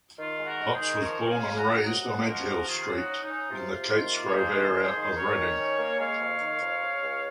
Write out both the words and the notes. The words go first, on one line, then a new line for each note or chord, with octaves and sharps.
Potts was born and raised on Edgehill Street in the Katesgrove area of Reading.
D#3 F4
G#3
F#4 A#4
G#3
G#4 C5
D#3
F3 A#4 C#5
F#2
F5 G#5
F#2
F#5 A#5
F#2
C3 D#5 F#5
F2
F3 F#4 A#4
C3
D#3 F4 G#4
C#4
D#4 F#4
C#4
D#4
C#4
C3 F4
C3
D#3
A#3
C#5
F2 G#4 C5
D#3
F2
D#3
C#4 A#4 C#5
D#3
C#4
A#3
G#3 C#5 F5
F2
D#3
F2
C#3
C#2